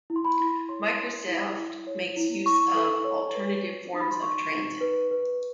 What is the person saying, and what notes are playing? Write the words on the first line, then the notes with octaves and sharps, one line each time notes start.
Microsoft makes use of alternative forms of transit.
E4
C6
B5
E4
C#5 C6
E4
E4
E4
C#5
E4
E4 C#6
A4
C#5
B4
F#4
D#4
B5
C6
F#4 C#6
D#4
B4
B4